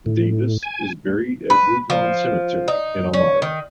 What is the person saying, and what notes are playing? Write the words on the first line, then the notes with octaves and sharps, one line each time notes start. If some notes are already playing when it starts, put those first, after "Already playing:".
Davis is buried at Woodlawn Cemetery in Elmira.
A2
G#5
B4
F3
D#4
C#4
D#3